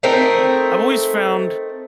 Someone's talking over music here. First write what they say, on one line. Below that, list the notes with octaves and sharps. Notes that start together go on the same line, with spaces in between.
Mm, I've always found
A3 C4 D#4 A#4